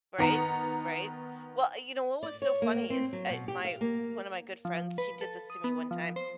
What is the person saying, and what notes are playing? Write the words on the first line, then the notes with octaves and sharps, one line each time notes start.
Right. Right. Well, you know what was so funny is, eh, my one of my good friends, she did this to me one time.
D#3 B3 A#5 C#7
D5
C#5
A#3
C4
F#3
B2
G4
F5
A#3
F3
B4
A4
D#6
B3
F3
C5